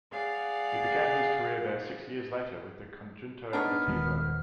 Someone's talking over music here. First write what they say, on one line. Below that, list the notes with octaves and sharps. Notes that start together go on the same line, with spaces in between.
He began his career there six years later with the Conjunto Nativo.
G#4 D5 F5 F#5
B3 D4 D#4 C#5 F6
D#1 D#3 G#3